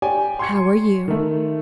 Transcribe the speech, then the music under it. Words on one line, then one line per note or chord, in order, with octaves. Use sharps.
"How are you?"
G4 C#5 D5 G5 G#5
C6 C#6 G#6 C#7
D#3 A3